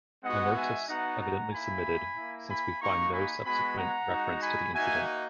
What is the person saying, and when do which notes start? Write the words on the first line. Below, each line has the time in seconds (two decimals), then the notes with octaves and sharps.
Mamertus evidently submitted, since we find no subsequent reference to the incident.
0.24 G#3 B3 D#4 F#4 D#5 F#5
0.56 E5 G#5
0.88 B3 D#4 F#4 F#5 A#5
1.20 F#5 A#5
1.52 A#3 E4 G#5 B5
2.18 A#3 E4
2.49 G#5 B5
2.81 A#3 D#4 F#4 A#5 C#6
3.13 G#5 B5
3.45 G#3 B3 F#4 G#5 B5
3.78 F#5 A#5
4.10 G#3 D#4 F#4
4.43 G#5 B5
4.74 A#3 D#4 F#4 E5 G#5